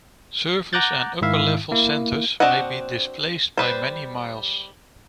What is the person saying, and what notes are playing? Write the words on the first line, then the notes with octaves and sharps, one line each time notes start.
Surface and upper-level centers may be displaced by many miles.
F#5 A#5 D6 F#6 G6 A6
G#2 D#3 E4 E5 F5
A#3 E4
C4 D4 F#4 D#5 F#5
G3 B4 C5